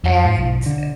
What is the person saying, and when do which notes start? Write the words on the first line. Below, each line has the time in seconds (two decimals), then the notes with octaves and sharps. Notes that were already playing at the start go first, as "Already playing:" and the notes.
and eh,
0.04 F2
0.25 G#2
0.38 B1
0.66 D3